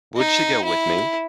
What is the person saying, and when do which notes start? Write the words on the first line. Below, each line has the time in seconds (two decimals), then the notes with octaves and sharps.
Would she go with me?
0.17 D#4
0.64 E4